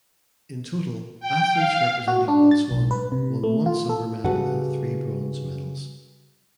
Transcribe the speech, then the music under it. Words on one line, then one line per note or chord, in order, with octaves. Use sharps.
In total athletes representing Botswana won one silver medal and three bronze medals.
G5
F5
F#4
D4
A6
B1
B4
C3
A3
F4
A4
C#3 G3 F#4 A4 B4 F#5